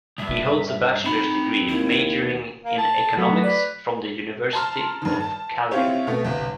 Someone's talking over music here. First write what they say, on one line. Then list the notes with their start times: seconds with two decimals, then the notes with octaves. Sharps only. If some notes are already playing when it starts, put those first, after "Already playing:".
He holds a bachelor's degree, majoring in economics, from the University of Calgary.
0.18 C#2 G2 E5
1.04 C4 D#4 B5
1.69 D#2 E4
2.64 A#3
2.78 A5
3.17 F#3 A3 B3
3.44 B4 D5
4.53 A5 A#5 C6 F6
5.02 G2 D#3
5.21 A5
5.71 C4 E4 F4 G4 C#5
6.07 B2 A3 B3
6.24 G1 C2